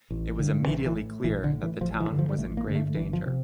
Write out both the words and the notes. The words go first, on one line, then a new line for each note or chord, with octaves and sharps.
It was immediately clear that the town was in grave danger.
A1
G2 D3
A#1 E3
E3
A2
A#1 E3
D3
A2
E3
A1 F3
E3
G2 D3
F3
G3
A1 A3
A#3
G2 D3
A3
G1 E3
F3
C3